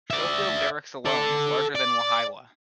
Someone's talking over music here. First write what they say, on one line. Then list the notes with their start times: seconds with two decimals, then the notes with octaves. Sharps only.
Schofield Barracks alone is larger than Wahiawa.
0.10 D5 E5
1.05 A4 D5
1.75 D5